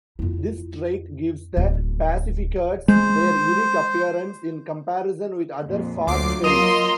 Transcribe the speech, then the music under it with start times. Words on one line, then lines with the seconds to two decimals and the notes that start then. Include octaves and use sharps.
This trait gives the PacifiCats their unique appearance in comparison with other fast ferries.
0.19 F2 E4
1.57 D1
2.88 G#3 C5
5.64 F2 A#2 G#3
6.07 D2 F#3 F4 D6 C7
6.44 A#3 D#5 C6 D#6 D#7